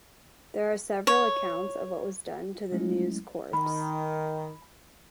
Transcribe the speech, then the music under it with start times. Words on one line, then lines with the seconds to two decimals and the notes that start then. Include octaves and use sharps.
There are several accounts of what was done to the nue's corpse.
1.07 C#5
2.72 F#3 G#3 A3 C#4 E4
3.53 D#3 B5